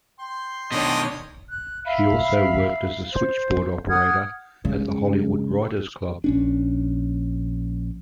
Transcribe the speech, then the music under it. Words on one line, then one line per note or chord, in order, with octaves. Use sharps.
She also worked as a switchboard operator at the Hollywood Writers' Club.
G5 C6
B2 D#3 D4 C#5 D#5
F#6
E5 F5 B5
C5
F#5 D#6 F6 G#6
C#3 G#3
A#1 C#4 D4